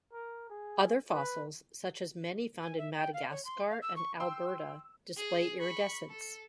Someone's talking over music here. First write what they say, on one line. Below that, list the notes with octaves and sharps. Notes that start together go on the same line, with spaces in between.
Other fossils, such as many found in Madagascar and Alberta, display iridescence.
A#4
G#4
B4
G#5
E5
G5
F5
C#5
C6
F5
E6
C#6
G5 C6 E6
G#4
B5 C#6
A4